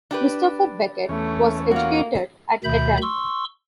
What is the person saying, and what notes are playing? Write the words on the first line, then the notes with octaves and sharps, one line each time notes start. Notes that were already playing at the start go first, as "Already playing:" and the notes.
Christopher Beckett was educated at Eton.
D4 G4 B4
E2 A3 C#4
A#3 F4 F#4
D2 B2 D#3 E5 B5 G6
C6 C#6 E6